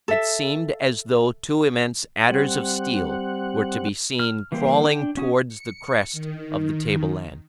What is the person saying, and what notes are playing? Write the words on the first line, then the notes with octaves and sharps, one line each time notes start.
It seemed as though two immense adders of steel were to be seen crawling towards the crest of the table-land.
A4 E5
G3 C4 F#5
F6
E3 G3 A#3 G4 C5
D4 G5
C#4 F#4 D#6
C#7
D#3